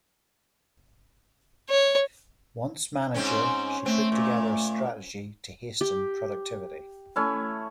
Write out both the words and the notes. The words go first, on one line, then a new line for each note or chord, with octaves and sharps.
Once manager, she put together a strategy to hasten productivity.
C#5
G#2 C4 C#4
A3 C4
A#2
G4
A3 C#4 E4